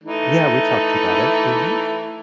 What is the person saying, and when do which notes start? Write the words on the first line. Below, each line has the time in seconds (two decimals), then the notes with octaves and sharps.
Yeah, we talked about it. Mhm.
0.04 E3 A3 D#4